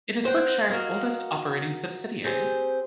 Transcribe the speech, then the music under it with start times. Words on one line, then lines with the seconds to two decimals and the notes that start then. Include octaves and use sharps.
It is Berkshire's oldest operating subsidiary.
0.24 C4 C5 F#5 G5
0.70 F#4 A#4 D#5 F5
2.24 C4 G4 G#4 C5